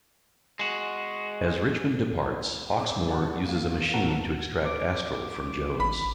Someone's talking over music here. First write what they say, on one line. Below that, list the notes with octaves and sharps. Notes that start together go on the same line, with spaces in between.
As Richmond departs, Hawksmoor uses a machine to extract Astral from Jones.
G#3 F#4
E2 C4 D6
F#4 A4 D5
A#3 F4
B3 C4 F#4 A4 A#4
D6
G#1 B5